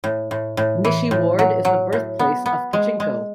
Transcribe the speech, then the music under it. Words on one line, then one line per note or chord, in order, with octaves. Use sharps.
Nishi-Ward is the birthplace of pachinko.
A2
A2
A2
E3
A2
F#3
F#3
A2
B3
B3
G#3
G#3